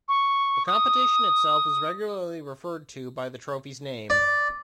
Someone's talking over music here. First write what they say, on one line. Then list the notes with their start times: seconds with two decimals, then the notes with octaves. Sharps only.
The competition itself is regularly referred to by the trophy's name.
0.08 C#6
0.67 D#6
4.10 D5